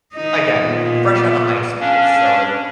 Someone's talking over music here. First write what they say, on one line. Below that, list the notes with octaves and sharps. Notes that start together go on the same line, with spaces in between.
again, fresh out of high school. So,
D#3 D#4 D#5
A#2 B3
C#4 D4 F5